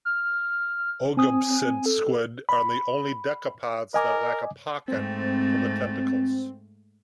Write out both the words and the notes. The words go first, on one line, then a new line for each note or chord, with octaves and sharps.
Oegopsid squid are the only decapods that lack a pocket for the tentacles.
F6
C4 G#5 D#6
A4
B5
A#4 D#5 G#5 D6
G#2 A3 C4